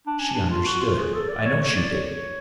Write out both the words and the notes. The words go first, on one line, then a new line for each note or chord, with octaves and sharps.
She understood, I know she did.
D4
C#4
D4
F4
F#4
F4
G#4
A4
D5
C#5
C#5
D5
C#5